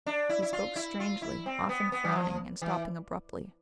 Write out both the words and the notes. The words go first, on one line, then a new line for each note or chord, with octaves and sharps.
He spoke strangely, often frowning, and stopping abruptly.
D4
E4
E4
F4
E4
F4
E4
C4
B3
B3
E3
F3
E3